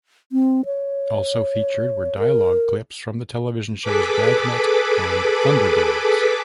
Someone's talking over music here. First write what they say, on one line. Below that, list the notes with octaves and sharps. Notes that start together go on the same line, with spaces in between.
Also featured were dialogue clips from the television shows "Dragnet", and "Thunderbirds".
C4
C#5
A#4
G#4 A4 B4 B5 D6